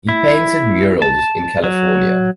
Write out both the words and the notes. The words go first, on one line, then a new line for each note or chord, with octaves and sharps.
He painted murals in California.
E4
A5
F#3